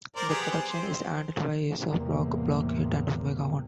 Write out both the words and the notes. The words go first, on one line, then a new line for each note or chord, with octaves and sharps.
The production is handled by Aesop Rock, Blockhead, and Omega One.
A#4 C5 D5
B3 G4 G#4
C5
C4 C5
E2 A2 C3 G3 A#3